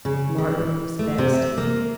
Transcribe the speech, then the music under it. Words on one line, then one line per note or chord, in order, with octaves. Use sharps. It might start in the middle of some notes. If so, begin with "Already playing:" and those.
Margaret was vexed.
C#3
E3
A3
C3
E5
A#3